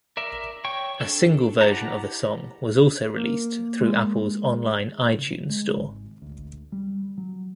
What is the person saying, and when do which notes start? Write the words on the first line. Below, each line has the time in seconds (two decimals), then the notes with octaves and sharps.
A single version of the song was also released through Apple's online iTunes Store.
0.17 A#4 D5 E5
0.65 C#5 G5 C#6
1.01 D4 A4
1.61 E4 G4 F#5 A5 A#5
3.17 A#3
3.81 G#3
5.18 C#3
5.50 G#3
5.76 G#1
6.22 D2
6.72 G3
7.18 F#3